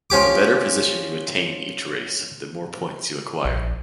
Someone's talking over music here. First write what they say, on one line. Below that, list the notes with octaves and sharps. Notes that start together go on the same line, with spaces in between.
The better position you attain each race, the more points you acquire.
F3 C#4 G4 D6
A#1